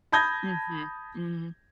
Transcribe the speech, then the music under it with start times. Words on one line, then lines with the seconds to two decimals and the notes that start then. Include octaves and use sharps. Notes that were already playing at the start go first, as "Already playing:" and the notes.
Mhm, mhm.
0.12 A5 B5 D#6 G6 G#6 A#6